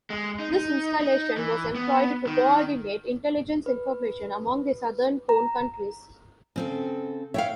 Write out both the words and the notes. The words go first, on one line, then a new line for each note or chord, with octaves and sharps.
This installation was "employed to co-ordinate intelligence information among the southern cone countries".
G#3
D#4
D#4
D#4
E3
B3
D#3
B4
A#5
C#3 C4 A4
C#5 E5 F5 G5